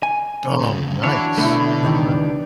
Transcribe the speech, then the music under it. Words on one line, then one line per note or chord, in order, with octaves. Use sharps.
Oh, nice. Nice.
G#5
D2 C#3
E3 A#3 D4 E4 F#4 C#5
B2 D3 A3 E4 E5 B5
C#2 D#3 E3 D#4 G4 D5